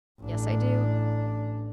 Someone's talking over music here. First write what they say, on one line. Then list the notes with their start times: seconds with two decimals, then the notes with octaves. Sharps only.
"Yes, I do."
0.20 A1 D4